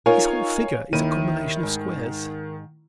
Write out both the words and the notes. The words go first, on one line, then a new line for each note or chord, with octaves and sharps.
His whole figure is a combination of squares.
D#4 F4 A#4 C#5 F5 G#5
D#2 D#3 E4 D#7
G#2